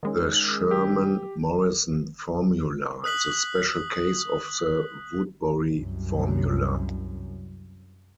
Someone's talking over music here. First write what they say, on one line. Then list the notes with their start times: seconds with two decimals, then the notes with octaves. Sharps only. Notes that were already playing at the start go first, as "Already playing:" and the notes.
The Sherman-Morrison formula is a special case of the Woodbury formula.
0.03 D#3 G#3 C#4
0.71 G4
3.04 D#6 F#6 B6 F#7
5.73 C2 F#2